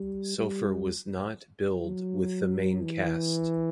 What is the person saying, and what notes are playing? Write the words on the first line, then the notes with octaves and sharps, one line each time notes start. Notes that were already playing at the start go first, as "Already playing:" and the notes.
Sofer was not billed with the main cast.
Already playing: G3
G3
F#3
E3